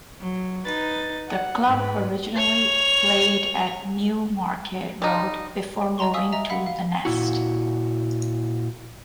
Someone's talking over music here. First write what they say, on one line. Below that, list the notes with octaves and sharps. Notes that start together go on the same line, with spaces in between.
The club originally played at Newmarket Road before moving to The Nest.
F#3
D#4 B4 A6
F#5
G#2 B4
C#5 F7
G3 D#4
D#5 A5 A#5 C6 C#6
F5 G#5 C#6 D#6 E6 B6
D#5 E5 A#5
F5 F#5 B5 B6
F5
A#2 E4 F#4